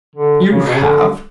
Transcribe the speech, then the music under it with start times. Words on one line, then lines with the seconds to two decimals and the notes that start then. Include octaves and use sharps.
"You have?"
0.16 D3
0.50 C#3
0.67 B2
0.74 C#3
0.82 D3